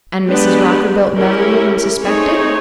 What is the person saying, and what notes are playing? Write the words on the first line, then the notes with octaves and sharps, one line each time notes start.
"And Mrs. Rockerbilt never even suspected?"
G#3 B3 D4 G4 B4
C#4 E4 G4 A#4
A3 C4 D#4 G#4 C#5